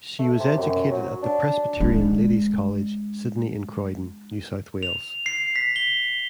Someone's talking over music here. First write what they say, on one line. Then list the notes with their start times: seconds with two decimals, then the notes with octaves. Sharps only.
She was educated at the Presbyterian Ladies' College, Sydney in Croydon, New South Wales.
0.19 A3
0.40 C3
0.57 F#2
0.91 F#3
1.22 D4
1.80 G#3 D4
4.83 F7
5.26 C7
5.56 B6
5.76 G7